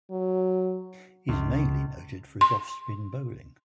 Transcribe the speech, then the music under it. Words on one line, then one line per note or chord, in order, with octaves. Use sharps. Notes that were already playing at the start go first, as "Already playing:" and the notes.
He is mainly noted for his off spin bowling.
F#3
C#2
C6